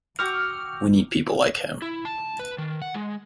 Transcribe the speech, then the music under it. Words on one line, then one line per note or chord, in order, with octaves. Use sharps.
We need people like him.
F#4 G5 C#6 D6 E6 F6 F7
E4
A5
B4
D#3
F#5
G#3